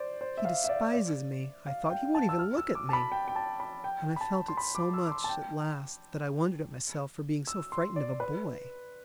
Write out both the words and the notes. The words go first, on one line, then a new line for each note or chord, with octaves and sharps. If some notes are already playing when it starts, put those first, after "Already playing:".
'He despises me,' I thought; 'he won't even look at me.' And I felt it so much at last that I wondered at myself for being so frightened of a boy.
Already playing: C5 D5
C5
E5
F5
E5
D5
D5
F5
G5
A5
E6
F6
E6
D6
A5
B5
G5
G5
A5
B5
G5
B5
A5
C6
B5
D6
E6
D6
C6
A5
G5
E6
C6
D5
B4